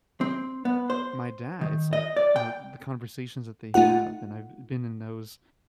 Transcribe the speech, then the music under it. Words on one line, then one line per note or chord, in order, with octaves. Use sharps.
my dad it's like, you know, the conversations that they have, and I've been in those
C4
B3
C5
D#3
D#5
D5
G5
A3 D#4 F4 F#5